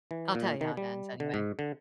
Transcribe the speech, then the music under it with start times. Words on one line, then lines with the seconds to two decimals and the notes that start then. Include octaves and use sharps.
I'll tell you how it ends anyway.
0.11 E3
0.35 A#2
0.61 D#3
0.77 G3
1.20 D3
1.34 G#2
1.59 D3